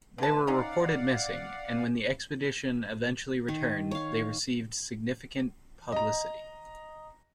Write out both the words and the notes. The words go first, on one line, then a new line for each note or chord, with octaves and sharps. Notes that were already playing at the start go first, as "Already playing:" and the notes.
They were reported missing and when the expedition eventually returned they received significant publicity.
D3 A3 B4 A5
C#4 D#4 D5 F5 F#5
D#3
C#5 F5
D#5 A#5